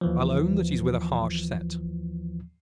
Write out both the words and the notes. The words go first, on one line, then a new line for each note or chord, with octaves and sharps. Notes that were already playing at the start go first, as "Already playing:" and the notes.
I'll own that he's with a harsh set.
D#2 E3 F3